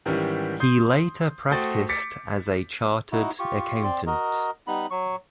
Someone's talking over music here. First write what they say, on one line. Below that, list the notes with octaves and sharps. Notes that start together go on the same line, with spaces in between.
He later practiced as a chartered accountant.
G#2 D#3 E3 G3 C#4 E4
C6 D#6 G6 C7
A3 F#4 C5 G5 D#6 A6
D6 A6 B6 C#7
D#4 E4 F#4
F4 G4 C#6
C4 D5 C6
F#4 A#4 D#5
G3 B3 D#4 B5
F#3 C#6